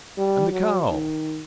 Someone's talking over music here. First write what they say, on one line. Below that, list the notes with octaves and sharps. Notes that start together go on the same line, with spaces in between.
"And the cow?"
G3
F#3
D#3